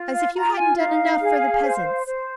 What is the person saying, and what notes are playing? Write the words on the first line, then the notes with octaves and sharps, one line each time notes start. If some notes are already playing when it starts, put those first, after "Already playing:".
As if you hadn't done enough for the peasants!
Already playing: F4
F5
F4 A#5
G#5
D#4 F5
G#4
C5
C5